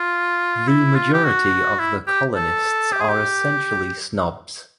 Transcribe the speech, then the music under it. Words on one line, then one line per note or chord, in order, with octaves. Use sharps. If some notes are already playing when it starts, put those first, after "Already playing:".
The majority of the colonists are essentially snobs.
Already playing: F4
E4
F4
G4
F#4
E4
G4
A4
G4
G#4
G4